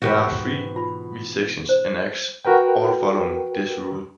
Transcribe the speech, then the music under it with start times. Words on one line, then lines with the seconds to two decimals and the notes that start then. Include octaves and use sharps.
There are three "we sections" in "Acts", all following this rule.
0.02 G#2 B2 E3 F#4 G4 B4
0.76 F4 B5
1.69 C5
2.45 F#4 A#4 B4 G5